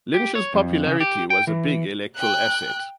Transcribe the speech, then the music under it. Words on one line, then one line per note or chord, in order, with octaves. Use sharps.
Lynch's popularity was a big electoral asset.
G4
C#5
F2
C#3
G4
G5
E3
G5 F#6